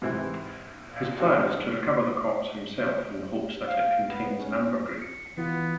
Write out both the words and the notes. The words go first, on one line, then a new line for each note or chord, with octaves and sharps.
His plan is to recover the corpse himself in hopes that it contains ambergris.
G#2 C3 E3 C4 E4
F3 A3 C4 D4 D#4 F#4
F5
B3
C#4
C#7
E3 B3 F4